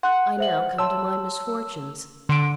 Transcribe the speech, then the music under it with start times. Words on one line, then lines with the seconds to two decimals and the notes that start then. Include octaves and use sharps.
I now come to my misfortunes.
0.03 F#5 C6 F#6
0.39 C5 E5 F#7
0.78 C#5 A5 C6 E6
2.29 D3 C6 D7